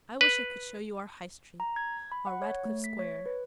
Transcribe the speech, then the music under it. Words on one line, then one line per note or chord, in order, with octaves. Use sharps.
I wish I could show you our High Street--our Radcliffe Square.
B4
A#5
G#6
B5
F#5
C#5
A3
B6
C#5
B4